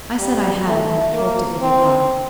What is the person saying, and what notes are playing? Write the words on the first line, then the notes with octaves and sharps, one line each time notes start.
I said I had, and hoped it would be brought.
G3
A3
A#3
C4